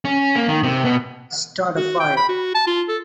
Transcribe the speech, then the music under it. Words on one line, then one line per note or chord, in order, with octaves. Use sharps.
Start a Fire.
C#4
A#3
D#3
C3
B2
F#4
G5
B5
F#4
A5
F4
A4